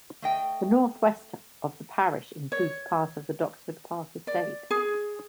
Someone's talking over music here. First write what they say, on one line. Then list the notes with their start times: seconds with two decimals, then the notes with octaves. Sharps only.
The north-west of the parish includes part of the Doxford Park estate.
0.22 A3 D#5 G5
2.52 C#5
4.27 D5
4.71 G#4